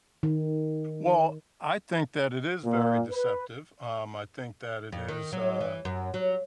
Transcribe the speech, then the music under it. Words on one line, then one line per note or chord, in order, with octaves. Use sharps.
Well, I think that it is very deceptive. Um, I think that it is, uh,
D#3
A#2
B4
F2
D#3
F#3
E3
F#2
F#3